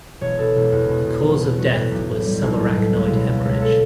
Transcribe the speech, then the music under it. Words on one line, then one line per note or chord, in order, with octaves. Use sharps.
The cause of death was subarachnoid haemorrhage.
E1 C#5
B2 A4
E1
G4
E2 F#4
B2
B2
E1
B2
G3 F#4
A2
B1 G4
A2
G3
B1
A2
A2
C#2
B2
C#2
C#2
A4